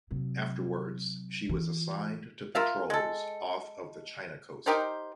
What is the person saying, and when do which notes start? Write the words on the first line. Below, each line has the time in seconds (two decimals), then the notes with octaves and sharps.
Afterwards, she was assigned to patrols off of the China coast.
0.11 C3 F#3
1.49 E3 F4
2.55 F4 A#4 E5 F5
2.90 G#3 A4
4.66 D#4 G4 A#4 C5